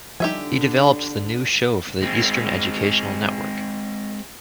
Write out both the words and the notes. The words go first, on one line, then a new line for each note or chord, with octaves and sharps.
He developed the new show for the Eastern Educational Network.
D3 F3 G3 D4 D#4 G4 E5 G#5
G#3 C4